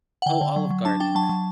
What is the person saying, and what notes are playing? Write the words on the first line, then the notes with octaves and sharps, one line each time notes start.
Oh, Olive Garden.
F#5
D3 G5
D3
F#3
F#3
D4 A5
D4 G5
F#3 A5
F#3